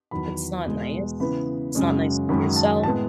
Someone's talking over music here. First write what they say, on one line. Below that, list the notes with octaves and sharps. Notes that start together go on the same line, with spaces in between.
It's not nice. It's not nice to yourself.
E2 D#3 F#3 B5
E2 B2 G#3
C#3 E3 B3 B5
F#2 C#3 G#3 C#4
F#2 D#3 G#3 C#4 B5
A5
A2 G#3 B3 A5